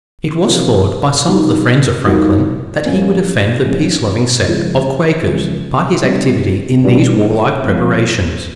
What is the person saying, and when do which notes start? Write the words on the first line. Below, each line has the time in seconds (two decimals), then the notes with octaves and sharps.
It was thought by some of the friends of Franklin, that he would offend the peace-loving sect of Quakers, by his activity in these warlike preparations.
0.46 C3 F3 A#3 D4 F#4
1.26 E3 G3 A#3 D#4 F#4
2.06 E3 G3 A#3 D#4 F#4
2.86 A2 F3 A#3 C#4
3.64 A2 F3 A#3 C#4
4.44 C#3 F3 G#3 C#4 F4
5.24 C#3 F3 G#3 C#4 F4
6.04 G3 B3 D4
6.84 G3 B3 D4
7.62 F3 G#3 C4